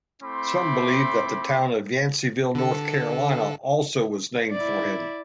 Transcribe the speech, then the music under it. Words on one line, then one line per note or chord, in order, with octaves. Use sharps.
Some believe that the town of Yanceyville, North Carolina, also was named for him.
A3 C4 E4 B5 C6 D6
D3 A4
E4 D5